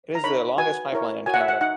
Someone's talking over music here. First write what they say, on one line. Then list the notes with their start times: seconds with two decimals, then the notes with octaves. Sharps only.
It is the longest pipeline in Canada.
0.15 A#5
0.24 D#4 A#4 C#5 B5
0.58 F#4 B4 G#5
0.93 E4 A#4 C#5
1.26 F#4 A#4 C#5 G#5
1.34 F#5
1.41 E5
1.48 F#5
1.61 D#4 F#5